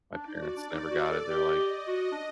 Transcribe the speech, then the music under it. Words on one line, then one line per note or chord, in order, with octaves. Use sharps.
my parents never got it, they're, like,
D4 D5
D#4
F#4
D4
D#4
F#4
A4
G4 D#5
F#4
D4